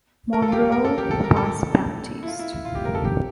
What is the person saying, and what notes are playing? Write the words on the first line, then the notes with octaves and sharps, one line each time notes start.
Monroe was Baptist.
A#4
A4
F4
G4
A#4
A4
G4
A4
A#4
A4
E4
F4
E4
E4
F4
G4
A#4
A4
G4